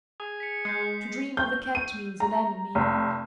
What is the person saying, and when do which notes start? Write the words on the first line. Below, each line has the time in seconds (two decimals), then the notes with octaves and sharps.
To dream of a cat means an enemy.
0.20 G#4 G#5 D#6
0.40 B6 C#7
0.65 G#3 G6 C7 C#7
1.37 G6
1.75 D#7
2.20 A#5
2.75 F1